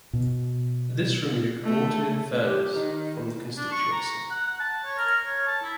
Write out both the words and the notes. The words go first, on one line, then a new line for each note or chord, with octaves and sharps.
This removed Broughton-in-Furness from the constituency.
B2
A3
A3
G4
D#3
D4
C#6
A#5
F#5
F#5
A5
C#5
A#4
C#5
A5
E4